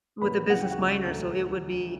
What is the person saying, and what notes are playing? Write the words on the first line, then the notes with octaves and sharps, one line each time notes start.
with a business minor, so it would be
A#1 A#2 F#3 B4 B5
E2 C#3 F#3 F#5
G5
F#4 F#5
C#2 C#3 F#3
E1 D2 D3 F#3